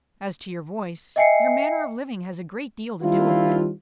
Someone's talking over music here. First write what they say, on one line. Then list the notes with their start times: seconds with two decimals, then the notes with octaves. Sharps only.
As to your voice, your manner of living has a great deal to do with it.
1.16 D#5 E5 G5 G#5 C7 C#7
3.03 D#3 G3 C4 D4 E4 F4